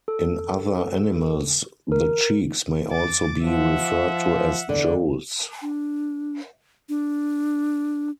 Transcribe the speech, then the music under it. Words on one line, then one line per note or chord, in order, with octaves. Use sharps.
In other animals the cheeks may also be referred to as jowls.
A4
A#4
D6 A6
F3 E5 F#5
E2 D3
D4
D4